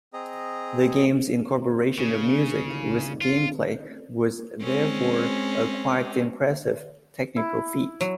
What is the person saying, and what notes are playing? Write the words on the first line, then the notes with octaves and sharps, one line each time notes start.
The game's incorporation of music with gameplay was therefore a quite impressive technical feat.
C4 G#4 D#5 A#5
C#3
F4
G#3 C4 C#4
E4
F#3